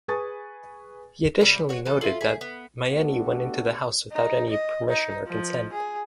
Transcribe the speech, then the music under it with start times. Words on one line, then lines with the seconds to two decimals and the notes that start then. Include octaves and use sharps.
He additionally noted that Myeni went in the house without any permission or consent.
0.08 G#4 B4 G#5 C#6 D#6 A6
1.41 C3 G3 D5
1.69 F#4 C#5
1.85 E3 A4
2.01 F4 A4 E5
2.21 G#4 B6
2.41 B3
2.90 A3 B3 D4 F#4 G4 A4
4.12 D#4
4.50 D#5
4.89 D#4
5.27 F3
5.72 G#4